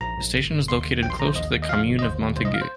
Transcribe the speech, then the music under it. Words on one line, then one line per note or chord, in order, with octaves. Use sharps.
The station is located close to the commune of Montaigu.
A#1 A#5
A#1
G1
G1
D#2 C6
D#2
A#1 G5
C6
A#1 A#5
C5
D#2 D#5
D#2
D#5
F3 F5
G1
D#5
D#2 C5
D#2
C2 C5
D#5
F5
C5